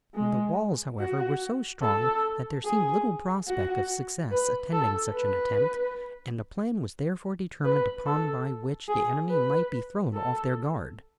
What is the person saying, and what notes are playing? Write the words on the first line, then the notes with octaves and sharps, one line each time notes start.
The walls, however, were so strong that there seemed little prospect of success attending such an attempt, and a plan was therefore determined upon by which the enemy might be thrown off their guard.
G#3
F#4
A4
G#4
F#4
B4
A4
B4
B4
A4
G#4
B4
A4